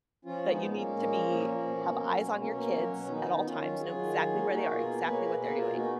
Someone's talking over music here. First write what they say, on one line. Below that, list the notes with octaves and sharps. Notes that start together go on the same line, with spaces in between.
that you need to be have eyes on your kids at all times, know exactly where they are, exactly what they're doing.
F3 C#4 F4
G#3
B3 D#4
A#2
A#3 C#4
G#3
A#2
F3
A#2
F3
B2
A#3
F#3
B2
B2 A#3 C#4
A#3
F#3
B2
D#3 B3 D#4
D#3
D#3 C#4 F4
F#3
F#3 F4 G#4
D#3
F#3
A#3
A#3 D#4 F#4
B2
F4 G#4
A#3
G#4 B4
A#3
C#5
B2 G#4 B4
A#3 G#4 B4
B2 F4 G#4
A#3 D#4 F#4